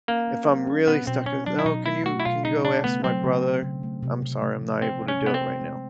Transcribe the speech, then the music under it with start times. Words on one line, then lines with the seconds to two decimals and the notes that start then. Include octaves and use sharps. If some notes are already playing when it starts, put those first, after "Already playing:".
if I'm really stuck with, "Oh, can you can you go ask my brother? I'm sorry, I'm not able to do it right now."
0.08 A#3 C#4
0.28 C#4
0.48 F#3
0.67 C#4
0.87 B2 B3
1.07 B2 C4
1.26 B2 C#4
1.46 F#3 D4
1.59 E4
1.66 B2 D#4
1.85 A3 E4
2.05 A3 F#4
2.20 E4
2.25 B2 F4
2.45 C#3 D#4
2.64 C#3 D4
2.84 A3 B3
3.04 F#3 C4
3.23 C#3
3.43 C#3
3.63 C#3
3.83 A3
4.03 C3
4.22 C3
4.42 A3
4.62 F3
4.82 C3 C4
5.02 C3
5.08 C#4
5.21 C3 B3
5.34 C4
5.42 A3
5.61 G#3